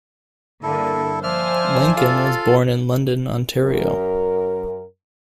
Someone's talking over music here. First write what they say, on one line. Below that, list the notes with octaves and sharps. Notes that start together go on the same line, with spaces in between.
Lankin was born in London, Ontario.
G2 D3 A#3 E4 A4
F3 C5 D5 E5 G#5 F6
F4 A4 F5
F#2 A#4